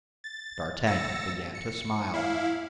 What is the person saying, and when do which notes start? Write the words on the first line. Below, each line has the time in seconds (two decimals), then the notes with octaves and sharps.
D'Artagnan began to smile.
0.24 A6
0.86 E6 A6 A#6 C#7
1.55 C#7
2.14 E4 F5